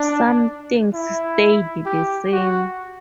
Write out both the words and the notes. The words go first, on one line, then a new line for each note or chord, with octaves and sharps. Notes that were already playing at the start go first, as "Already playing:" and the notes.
Some things stayed the same.
Already playing: D4
E4
G4
F#4